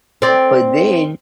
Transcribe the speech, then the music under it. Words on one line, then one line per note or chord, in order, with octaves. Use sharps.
but then,
C4 D5